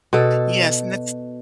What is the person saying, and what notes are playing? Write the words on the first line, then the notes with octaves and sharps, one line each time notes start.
Yes, and that's
B2 A4